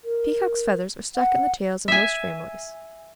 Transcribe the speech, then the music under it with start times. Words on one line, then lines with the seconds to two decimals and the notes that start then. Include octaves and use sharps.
Peacocks' feathers are stuck in the tails of most families.
0.04 A#4
1.16 F#5
1.88 E5 G#5